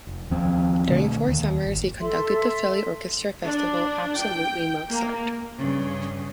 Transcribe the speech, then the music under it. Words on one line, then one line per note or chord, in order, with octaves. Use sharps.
During four summers, he conducted the Philly Orchestra Festival "Absolutely Mozart".
F1
D#2 F3 C4
B2 D3 A3
D#2
G#1
A4 E5 C6
D4
G5
A#3
G2 C#3